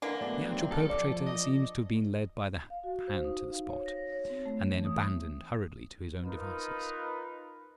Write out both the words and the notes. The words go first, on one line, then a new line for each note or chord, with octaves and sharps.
The actual perpetrator seems to have been led by the hand to the spot, and then abandoned hurriedly to his own devices.
D3 E3 A#3
F#3 A3 B3 D4
C4
G4 A4 A#4 F5
F3 D5
D#5
F5
F#4
C5
D#4
F5
C#5
A#6
C#5
C4
A3
E3
D#6
D#4 F4 A#4 B4